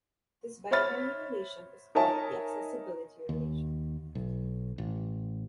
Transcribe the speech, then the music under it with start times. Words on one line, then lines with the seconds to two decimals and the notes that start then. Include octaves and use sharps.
This binary relation is called the "accessibility relation".
0.71 C5 C#5 E5 B5 F6 A6
1.95 D#4 A#4 C#5 E5 G#5 A5
3.29 D#2
4.15 B1
4.78 A1